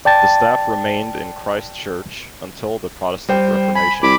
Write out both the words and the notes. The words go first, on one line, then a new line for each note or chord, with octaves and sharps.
The staff remained in Christ Church until the Protestant Reformation.
D5 G5 A5 A6
G3 C5 G5
G#5 B5
C2 B5 D6